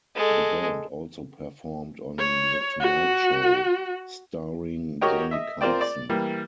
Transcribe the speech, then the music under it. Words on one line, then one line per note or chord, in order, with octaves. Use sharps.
The band also performed on The Tonight Show Starring Johnny Carson.
G#3 A4
C#5
F#4
F#4 G4 A#4 C#5 D#5 G5
D#5 E5
C4 F4 A#4 C5 D5 G5
D5
E3 G3 A#3